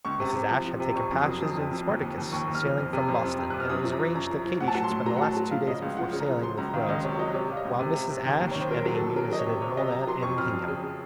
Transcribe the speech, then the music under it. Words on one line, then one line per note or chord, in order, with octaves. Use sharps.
Mrs. Ashe had taken passage in the "Spartacus," sailing from Boston; and it was arranged that Katy should spend the last two days before sailing, with Rose, while Mrs. Ashe and Amy visited an old aunt in Hingham.
C#2 C#6
C3
C3
F3
F3
C3
F2 C#6
F2
D#6
F#3
F2 D#6
F2
F2
D#2
D#2
D#2
D#2 C#6
D#2
F6
F3
F2
C3
F2
F2
C3
C3 F#6
F6
F#2 D#6
F3
A#5
F3
F#2 A#5
F3
F3
A2 F#5
A5
F#3 F#5
C6
A2
F#3 A#5
F#5
F#3 A5
F#3
F3 F5
C#3 D#5
C#2 F5
F3 F#5
C#3
A#5
F3
F#3 C6
C#2 A#5
D#3 F5
C#2 D#5
C3 C#5
F#3 D#5
C3 C#5
C3 F5
D#5
C#2
C3
C3
C3
D#3
D#2
D#3 C#5
C5
F#3 A#4
F#3
A4
D#2
F#3 A#4
F#3 D#5
C#5
C3
C3 C#5
C3 D#5
C3 A#5
F#3 C6
F2 C#6
F2 F6
F2
C#3